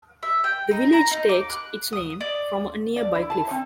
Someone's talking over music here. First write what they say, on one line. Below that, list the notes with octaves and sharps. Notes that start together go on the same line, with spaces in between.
The village takes its name from a nearby cliff.
E5
G5
D#4
A#5
D#4
D6
F#6
D#6
D5
D5
E4
A5
C4